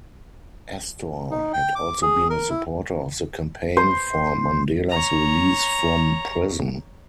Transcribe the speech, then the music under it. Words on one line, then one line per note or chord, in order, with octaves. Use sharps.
Astor had also been a supporter of the campaign for Mandela's release from prison.
D#4
G5
D6
G#4
A#4
E4
C5
C#5 A#5